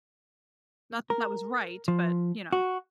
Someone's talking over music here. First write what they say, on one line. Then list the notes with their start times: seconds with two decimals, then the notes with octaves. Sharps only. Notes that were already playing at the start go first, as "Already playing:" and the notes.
Not that that was right, but you know.
1.10 A#4
1.88 F3
2.53 F#4